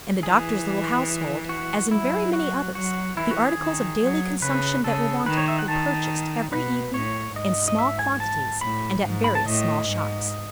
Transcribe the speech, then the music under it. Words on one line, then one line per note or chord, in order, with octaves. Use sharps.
In the Doctor's little household, as in very many others, the articles of daily consumption that were wanted were purchased every evening, in small quantities and at various small shops.
E3 G#4
F#4
F#3 E4
F#4
F#3 F#4
E3 E4
F#4
G#4
D#3
F#3
C#3 B4
C#3 A4
D#3 B4
C#5
E5
F#5
D#3 A5
B2 B4
A2 C#5
G#2 D#5
D#5
E5
G#5
A5
A2 B5
G#2
B5
A5
A2 D#5
G#2